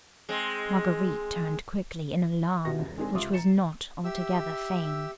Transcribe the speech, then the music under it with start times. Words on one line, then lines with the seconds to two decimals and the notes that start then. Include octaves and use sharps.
Marguerite turned quickly, in alarm, which was not altogether feigned.
0.29 G#3 C4
2.65 B2 E3 F#4 G4 A#6
2.79 E1 C#2
2.97 D#3 G#3 C4 D4 G#4
3.14 C#2 C3 F4 D6 D#6
3.33 A#5 A6 C#7 E7
4.04 G4 E5 E6